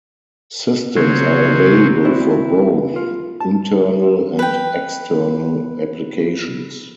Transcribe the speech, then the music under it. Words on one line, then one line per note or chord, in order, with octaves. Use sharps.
Systems are available for both internal and external applications.
C#3 F#3 C4
C4 E4 F#4 C5 D5
F4
A5
B4 G5